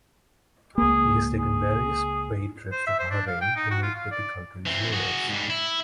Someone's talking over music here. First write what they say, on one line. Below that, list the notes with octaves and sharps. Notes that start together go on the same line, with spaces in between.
He has taken various paid trips to Bahrain to meet with that country's rulers.
C#2 A#3 G#4
G#4
C5
E5
C5
D4
F5
G5
D#4
F#4
F4
F5
D5
E3 C4
F#4 G#4
G#2 G3
E4